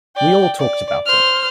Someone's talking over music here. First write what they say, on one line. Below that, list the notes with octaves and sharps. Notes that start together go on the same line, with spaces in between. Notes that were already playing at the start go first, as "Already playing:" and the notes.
We all talked about it.
D5 G5
D5
C5 F6